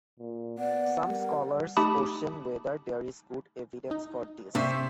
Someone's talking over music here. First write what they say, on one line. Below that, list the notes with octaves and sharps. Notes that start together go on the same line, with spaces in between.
Some scholars question whether there is good evidence for this.
A#2
B3 D5 F#5
G3 A#4
A3 D#4 G4 A5 B5 D#6
D#4
C3 A#3 D4 C5 E5 C#6